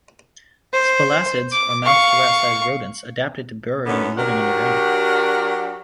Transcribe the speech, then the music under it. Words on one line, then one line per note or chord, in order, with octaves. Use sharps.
Spalacids are mouse- to rat-sized rodents, adapted to burrowing and living underground.
C5
D6
F5 C#6
F#2 D3 B3 C#4 D#4
F#3 D4 F#4 G4 A#4